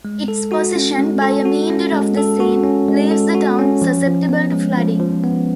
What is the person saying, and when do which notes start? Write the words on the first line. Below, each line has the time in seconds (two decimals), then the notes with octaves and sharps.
Its position by a meander of the Seine leaves the town susceptible to flooding.
0.05 G#3
0.28 A4
0.52 F#4
0.76 C#4
0.99 G#3
1.22 A4
1.45 F#4
1.70 C#4
1.93 G#3
2.17 A4
2.40 F#4
2.63 C#4
2.88 G#3
3.11 A4
3.35 F#4
3.59 C#4
3.82 F3
4.06 F3
4.29 B3
4.53 G#3
4.77 F3
5.00 F3
5.24 B3